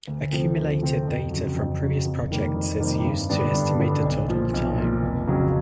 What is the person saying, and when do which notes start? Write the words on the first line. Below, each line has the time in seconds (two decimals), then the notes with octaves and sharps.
Accumulated data from previous projects is used to estimate the total time.
0.08 D2
0.32 C3 F3 A3 C4
0.57 D2
0.82 C3 F3 A3 C4
1.07 F2
1.31 C#3 F#3
1.55 F2
1.81 C#3 F#3
2.05 F2
2.30 C3 D#3 G3 A#3
2.55 F2
2.80 C3 D#3 G3 A#3
3.05 G2
3.29 D3 G3 B3 D4
3.54 G2
3.79 D3 G3 B3 D4
4.03 B1
4.28 A#2 F3
4.54 B1
4.78 A#2 F3
5.03 F1
5.27 F2 C#3 F#3